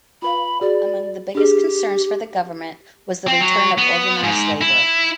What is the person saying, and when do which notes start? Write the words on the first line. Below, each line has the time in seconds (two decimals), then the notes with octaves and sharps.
Among the biggest concerns for the government was the return of organized labor.
0.22 F4 B4 F5 B5
0.61 F#4 G#4 D5
1.35 D4 G4 G#4
3.28 C4
3.41 F#3
3.78 B3
4.23 G#2
4.61 E4